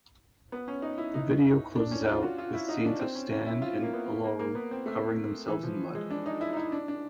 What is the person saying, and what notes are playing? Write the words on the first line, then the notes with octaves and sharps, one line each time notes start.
The video closes out with scenes of Stan and Olaru covering themselves in mud.
B3
C#4
D#4
E4
D#4
D4
C#4
F4
F#4
F4
E4
D#4
D4
C4
C#4
C#4
E4
F4
A#3
B3
A#3
A#3
B3
C4
A3
E3
F3
G#3
D4
D#4
E4
D#4
E4
D4
D4